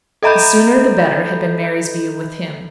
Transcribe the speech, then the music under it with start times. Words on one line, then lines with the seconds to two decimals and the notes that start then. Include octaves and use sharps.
The sooner the better had been Mary's view with him.
0.22 A4 D#5 E5 A#5 B5 G6